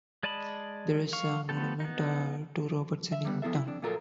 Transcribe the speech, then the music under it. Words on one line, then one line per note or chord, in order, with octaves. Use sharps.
There is a monument to Robertson in Tongue.
G#3 D5 D#5 A5 B5
F5 C#6
F3 A3 B3 G4 A4
B3 D#4
E5
D3 G3 B3
F3 B3 E4 G#4 A4 E5
E4
F2 D4
A#2 F3 F#3 F4 A4 A#4